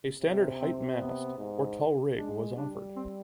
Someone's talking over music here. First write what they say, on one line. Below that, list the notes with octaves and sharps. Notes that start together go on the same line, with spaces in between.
A standard height mast or tall rig was offered.
C3
C4
B3
G#2
G#3 D4
G3 D4
C4